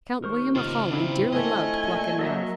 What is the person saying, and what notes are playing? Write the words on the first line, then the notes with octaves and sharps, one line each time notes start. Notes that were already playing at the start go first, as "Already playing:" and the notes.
Count William of Holland dearly loved pluck and nerve.
D#2 A#4 C5 C#6
C#3 F4 C5 D#5 F6
C4 D4 E4 F4
A3 D#5 G#5
A#2
F#3 A#3 A4 D#5 E5 A#5